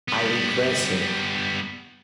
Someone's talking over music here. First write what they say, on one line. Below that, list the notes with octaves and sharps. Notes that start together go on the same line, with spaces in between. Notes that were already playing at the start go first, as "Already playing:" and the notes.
I regret it!
G3 B3